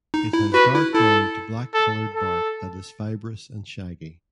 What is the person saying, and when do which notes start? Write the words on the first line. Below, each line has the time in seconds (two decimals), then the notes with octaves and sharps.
It has dark brown to black coloured bark that is fibrous and shaggy.
0.14 D#4
0.33 E4
0.54 F#4 B4
0.74 E4
0.94 E4 A4
1.74 A4
2.15 A4